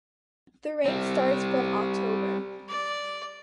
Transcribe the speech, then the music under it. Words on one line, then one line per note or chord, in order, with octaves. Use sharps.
The rain starts from October.
G3 C4
D5